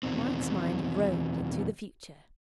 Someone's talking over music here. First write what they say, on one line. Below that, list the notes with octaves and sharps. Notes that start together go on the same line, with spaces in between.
Mike's mind roamed into the future.
E2 G2 B2 D#3 C4